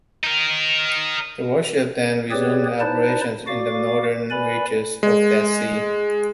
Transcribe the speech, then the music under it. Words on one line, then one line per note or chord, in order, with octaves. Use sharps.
The warship then resumed operations in the northern reaches of that sea.
D#4 A#4
C4 G4 G#4 B4 C#5 D5
D#4 E4 B4 C5 D5 A5
F#4 D5 F5 D6
B4 D5 G#5 B5
G#3